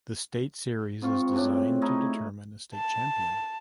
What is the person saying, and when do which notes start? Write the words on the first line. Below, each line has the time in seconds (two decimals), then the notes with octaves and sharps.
The State Series is designed to determine a State Champion.
1.02 G#2 C4 F4 C#6
1.33 A2 C#3 D4
1.82 A3 D#4 E4
2.75 A5